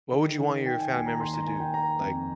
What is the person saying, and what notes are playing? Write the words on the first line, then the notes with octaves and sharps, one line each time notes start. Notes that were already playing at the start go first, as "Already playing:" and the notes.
What would you want your family members to do? Like
D#3
D#3
D#3 G5
G#5
D#2 G#5
A#5
D#3 C6
A#5
A#3 G#5
G5
A#3 A#5
F2